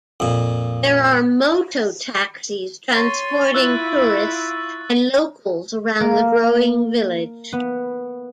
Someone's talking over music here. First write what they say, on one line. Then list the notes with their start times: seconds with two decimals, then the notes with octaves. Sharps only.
There are Moto-taxis transporting tourists and locals around the growing village.
0.20 F2 A#2
2.93 C#5 C6 C#6 A6
3.54 E4 F4 E6 F#6 A6
6.00 A#3
7.53 B3